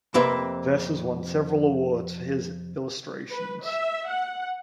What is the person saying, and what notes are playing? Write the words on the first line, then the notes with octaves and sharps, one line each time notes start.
Vess has won several awards for his illustrations.
F2 C3 A#3 C4 B4 E5
B4
E5
F#5